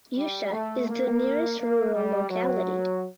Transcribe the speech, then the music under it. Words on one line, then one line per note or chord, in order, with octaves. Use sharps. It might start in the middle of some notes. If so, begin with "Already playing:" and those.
Yusha is the nearest rural locality.
G3
A3
A#3
A#3
G3
F#3